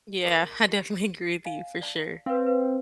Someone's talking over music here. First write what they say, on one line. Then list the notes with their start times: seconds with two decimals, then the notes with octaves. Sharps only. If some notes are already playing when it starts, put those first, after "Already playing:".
Yeah, I definitely agree with you for sure.
0.25 G#4 A#4
0.68 G4
1.45 D#5 F5 G#5
1.81 D5 A5
2.26 C4 B4 F5
2.46 B4 F5